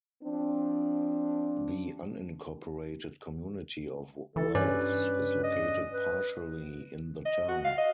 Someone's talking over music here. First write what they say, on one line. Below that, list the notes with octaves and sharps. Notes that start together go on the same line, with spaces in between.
The unincorporated community of Wells is located partially in the town.
F3 C4 D4
E3 A4
G2 C#4 B4 D5
D#5
B4
D#5
F#4
F5
D#5